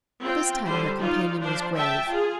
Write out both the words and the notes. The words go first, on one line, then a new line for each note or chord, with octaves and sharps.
This time her companion was grave.
C4 F4 G5
D3 G3 C5
D#4 F4 D5
F3 D4 C5
E5 G5 A5
F4 G#4